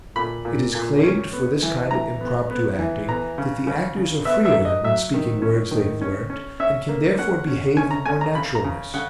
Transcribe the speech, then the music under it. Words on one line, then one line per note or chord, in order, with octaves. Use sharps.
It is claimed for this kind of impromptu acting that the actors are freer than when speaking words they have learnt, and can therefore behave with more naturalness.
A#2 B5
A#2
A#2
C#4
B3
E3
E3 A#5
B3
B3
E3
B3 A#5
C#3
C#3
C#3
B3 E5
E5
F#3
D#5
F#3 E5
D#3
C#4
D#3
C#4
C#4
C#4 E5
A#3
C#4 F#5
C#4
C#4 G#5
A#5
C#4 G#5
A#5
C#3 B5
A#5
C#3
C#3 F#5